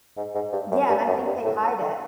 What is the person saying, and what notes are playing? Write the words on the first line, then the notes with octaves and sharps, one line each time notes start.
Yeah, and I think they hide it.
G#2
G#2
G2
F#2
G2
F#2
G2
A2
D3